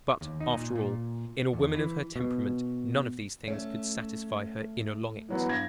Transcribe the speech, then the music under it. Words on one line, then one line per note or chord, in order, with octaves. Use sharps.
But, after all, in a woman of her temperament none of these things could satisfy her inner longings.
D#2
D#4
A#2
A#2
E2
E3
B2
A3 C#4
E3 F#3 B3
G2 G#6 A#6